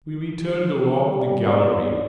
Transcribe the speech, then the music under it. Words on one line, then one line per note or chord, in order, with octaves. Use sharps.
We returned along the gallery.
G3
B3 D4 C#5 D5